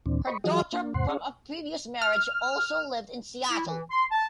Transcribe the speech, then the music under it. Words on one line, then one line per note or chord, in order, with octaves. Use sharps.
Her daughter from a previous marriage also lived in Seattle.
D#2 A#2 E3 C4 D4
C5 D#5 B5 C#6
E3 F#3 F4 F#4 G#4 D#5
A#3 D4
E2 G#2 C3 C5 F#5 C6
C#4 G#4 C#5 F5
F6
E4
E3
C6
A5